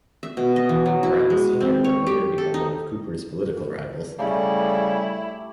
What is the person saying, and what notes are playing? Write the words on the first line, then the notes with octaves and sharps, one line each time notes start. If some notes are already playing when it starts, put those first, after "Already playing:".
Brown, Senior would later become one of Cooper's political rivals.
E5
B2
D#5
E3
F#3
E4
G#3
C4
C#5
G4
A4
D#4
C#3 G3 A3 E4 G4